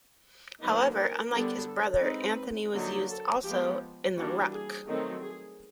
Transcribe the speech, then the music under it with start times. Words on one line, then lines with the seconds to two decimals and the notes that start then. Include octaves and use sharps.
However, unlike his brother, Anthony was used also in the ruck.
0.60 D3 F#3 A#3 D#4 B4
0.96 A#4
1.32 D3 G3 B3 D4
1.67 A4
2.03 G#3 C4 D#4 B4
2.74 D3 F#3 A#3 D#4
3.10 A4
3.45 F3 G#3 B3 G4
4.16 E3 G3 A#3 D4 F#4
4.52 G#4
4.87 D#3 F#3 A3 C4 D#4
5.23 G#4